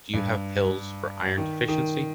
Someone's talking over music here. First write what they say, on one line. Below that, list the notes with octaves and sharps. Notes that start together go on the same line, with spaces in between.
Do you have pills for iron deficiency?
G2
D#3
D#3